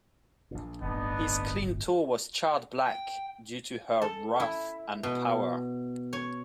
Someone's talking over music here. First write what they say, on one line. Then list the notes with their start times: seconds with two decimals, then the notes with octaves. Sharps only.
His clean toe was charred black due to her wrath and power.
0.51 A#1 A#2
0.81 D1 G1 B3 D4 D#4
2.85 G5
4.02 A4
4.40 E4
5.03 B2
6.13 C#5